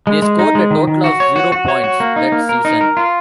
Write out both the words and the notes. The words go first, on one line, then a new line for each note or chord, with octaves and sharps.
They scored a total of zero points that season.
G#3
G#3
D#4
G#3
D#3
D#3
F#4
C#5
F#4
F#4
C#5
F#4
A#3
D#4
A#3
A#4
D#4
A#4
F4